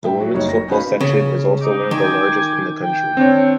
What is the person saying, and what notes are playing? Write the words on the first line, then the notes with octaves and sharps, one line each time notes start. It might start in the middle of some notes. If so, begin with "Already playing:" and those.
The women's football section is also one of the largest in the country.
A2 E5 G5
F#3 F#4
F#1 G3 D#4 F#4 C#5
A#6
C#4 D#4 F#4 B4 F5 B5
C#3
D#4 D6
D#3 G5 G#5 D6
G5
C4 D4 C#5